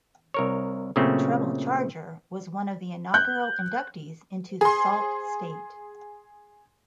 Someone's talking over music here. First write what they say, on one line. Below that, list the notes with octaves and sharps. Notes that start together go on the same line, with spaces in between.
Treble Charger was one of the inaugural inductees into the Sault Ste.
C2 A#4 C#5
A#2 C#3 F#3 A3 C4 C#4
F#6 G6
G#4 C6